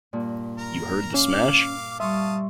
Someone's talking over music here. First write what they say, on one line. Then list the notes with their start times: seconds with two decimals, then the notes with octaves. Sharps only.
You heard the smash?
0.13 G2 A#2
0.58 A#4 A#5
1.14 C#4 F5 D6
2.00 G3 E5 F5 A5 C6 C#6 D#6